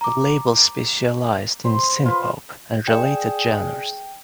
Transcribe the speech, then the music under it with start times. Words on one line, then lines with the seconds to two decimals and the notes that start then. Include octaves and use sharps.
The label specialized in synthpop and related genres.
0.01 A#5 D6
1.64 C5 B5 C6
2.05 F4 B4
2.88 G#4 D5 F5 G5 E7